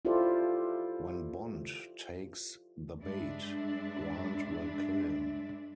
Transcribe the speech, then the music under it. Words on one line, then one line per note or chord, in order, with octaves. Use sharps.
When Bond takes the bait, Grant will kill him.
E4 F4 G4 A4 C5 D5
G2 G#3 D4 E5